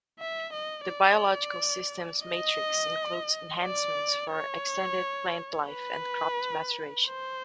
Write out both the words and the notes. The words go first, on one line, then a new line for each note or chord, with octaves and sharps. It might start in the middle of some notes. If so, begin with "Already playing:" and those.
The biological systems matrix includes enhancements for extended plant life and crop maturation.
E5
D#5
D5
D#5
D5
C#5
B4
C5